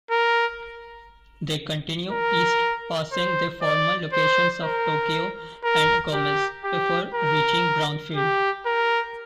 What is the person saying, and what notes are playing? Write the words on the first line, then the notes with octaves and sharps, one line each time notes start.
They continue east passing the former locations of Tokio and Gomez before reaching Brownfield.
A#4
A#4
C5
D5
C5
A#4
A#4
G4
G4
A#4
G4
A#4